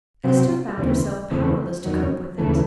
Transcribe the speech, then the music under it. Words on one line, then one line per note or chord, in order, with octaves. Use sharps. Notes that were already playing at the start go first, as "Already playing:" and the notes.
Esther found herself powerless to cope with it.
C3 F#3 C4
D#2 C#3 E3 C4
E2 C#3 E3 A3 C4
E2 D#3 F#3
D#2 C#3 E3 A3